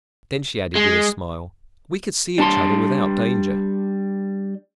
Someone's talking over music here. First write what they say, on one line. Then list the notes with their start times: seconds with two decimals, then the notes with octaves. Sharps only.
Then she added with a smile: "We could see each other without danger."
0.75 G#3
2.38 G3 D4 A5 C6